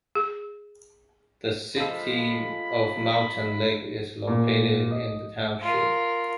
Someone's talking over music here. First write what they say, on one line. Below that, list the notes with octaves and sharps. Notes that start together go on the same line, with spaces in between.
The city of Mountain Lake is located in the township.
G#4
F3 G#3 A4 B5
A#2
D#5
F4 A#4